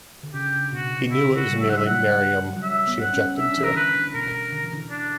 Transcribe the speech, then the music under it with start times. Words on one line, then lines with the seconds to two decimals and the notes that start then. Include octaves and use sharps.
He knew it was merely Miriam she objected to.
0.23 D3
0.34 C#3 G4
0.72 B2 F#4
1.11 C#3 E4
1.29 D3
1.35 F#4
1.48 G3
1.61 E5
1.67 G3 F#5
1.77 E5
1.86 F#3 F#5
2.56 F#3
2.62 G3 E5
2.87 B3
3.00 F#5
3.13 C#4
3.38 D4 E5
3.57 E3
3.64 A#4
3.76 D3 B4
3.95 D3
4.14 B2 A#4
4.52 D3
4.63 E3
4.74 D3
4.90 D4